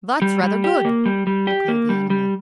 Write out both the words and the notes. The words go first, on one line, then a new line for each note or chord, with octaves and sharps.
"That's rather good," declared the animal.
G3
G3
G4
A#3
G3
G3
G4
A#3
G3
G3